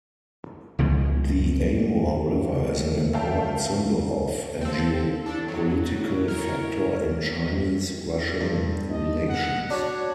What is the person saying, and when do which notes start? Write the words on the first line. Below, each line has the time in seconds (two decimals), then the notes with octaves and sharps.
The Amur River is an important symbol of, and geopolitical factor in, Chinese-Russian relations.
0.79 C#2 B2 F3 G#3
3.13 E5 F5 G5 A5
4.61 C4 A4 F5
5.26 D4 E4 A4 A5
5.45 F2 F#3
6.28 E4 A#4 C#5
8.41 G2
8.90 D#5
9.28 F#5
9.70 D4 F#4 C#5